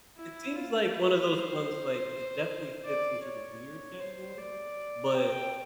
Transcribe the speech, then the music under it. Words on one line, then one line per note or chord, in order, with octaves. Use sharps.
It seems like one of those ones like it definitely fits into the weird category, but
E4
F4
B4
C5
D5
C#5
C5
D5
G5